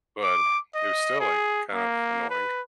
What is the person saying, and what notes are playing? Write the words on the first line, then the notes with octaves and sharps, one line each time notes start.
but it was still, like, kind of annoying.
D6
D#5
G#4
A#3
B4